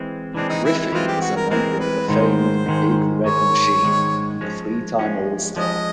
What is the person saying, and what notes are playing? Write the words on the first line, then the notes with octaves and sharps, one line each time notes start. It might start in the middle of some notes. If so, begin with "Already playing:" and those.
Griffey was a member of the famed Big Red Machine, and a three-time All-Star.
Already playing: E3 G#3 C4
E3 G#3 C4 D4
D#4
E4
E4
E3 G#3 C4 F4
G4
F#4
A#4
E3 G#3 C4 A#4
B4
G#2 D#3 G#3 C5
G#2 D#3 G#3
G#2 D#3 G#3 C#5
G#2 D#3 G#3
F3 G#3 C#4
F3 G#3 C#4
F3 G#3 C#4 D#5